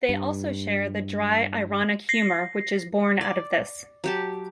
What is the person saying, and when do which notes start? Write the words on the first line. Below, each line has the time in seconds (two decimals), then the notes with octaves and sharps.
They also share the dry ironic humour which is borne out of this.
0.09 G2
2.09 A#6 C7
3.21 D5
4.04 F#3 G4 A5